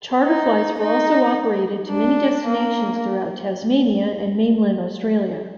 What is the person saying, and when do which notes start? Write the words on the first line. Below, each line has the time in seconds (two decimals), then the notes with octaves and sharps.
Charter flights were also operated to many destinations throughout Tasmania and mainland Australia.
0.25 D#4
0.80 D#4
1.91 D4
2.46 A#3